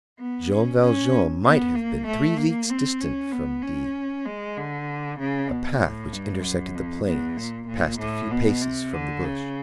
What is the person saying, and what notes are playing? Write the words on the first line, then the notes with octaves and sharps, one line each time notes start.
Jean Valjean might have been three leagues distant from D---- A path which intersected the plain passed a few paces from the bush.
B3
C#4
C#4
B3
A#3
A3
A#3
C4
C#4
B3
C#4
G#3
D3
C#3
B2
A2
G2
F#2
F2
E2
A#2
A#2
A2
B2
C3
D3
C#3